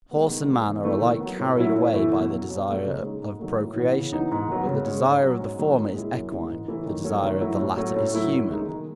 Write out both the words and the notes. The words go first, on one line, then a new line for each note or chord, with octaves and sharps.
Horse and man are alike carried away by the desire of procreation; but the desire of the former is equine, the desire of the latter is human.
G#3 B3
D#3
G#3 C#4
E2
D#3 A3 C#4 E4
D#3
B3
F#3
A2
F#3 C#4 E4
A2
E3 A3 E4
B2
F#3 C#4
B2
F#3 A3
C#3
G#3 D#4
G#2
D#3 F#3 A3
A2
E3 B3
C#3
E3 B3 D#4
G#2
D#3 F#3 B3
C#3
G#3 C#4
G#2
F#3 C#4
G#2
D#3 F#3 A3
A2
G#3 C#4 E4
F#2
E3 G#3
G#2
E3 A3 C#4 E4
D#3
F#3 A3 C#4
D#3
F#3 A3 E4
A2
F#3 A3 C#4
A2
F#3 A3 E4
F#2
D#3 G#3 D#4
D#3